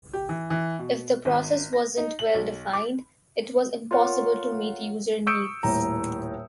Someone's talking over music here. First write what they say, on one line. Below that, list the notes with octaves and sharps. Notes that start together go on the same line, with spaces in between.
If the process wasn't well defined, it was impossible to meet user needs.
G4
E3
E3
B2
G#1
A#6
D#4
F#7
B1
D6
F4 A#4 C#5 F5 F#5
C#6 D#6 E6 G6 C#7 D7
D#1 A2 A#5